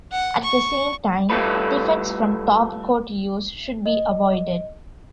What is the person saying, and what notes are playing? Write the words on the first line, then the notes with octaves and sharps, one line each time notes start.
At the same time, defects from topcoat use should be avoided.
F#5
C#6
G3 A3 F4 A4 B4
D#5